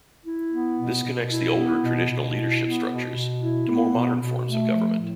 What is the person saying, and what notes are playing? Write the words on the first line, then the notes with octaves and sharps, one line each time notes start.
This connects the older traditional leadership structures to more modern forms of government.
E4
B3
B2
B2
E4
B3
B2
B2
E4
B3
B2
B2
E4
B3
B2
B2
A3
F3
A2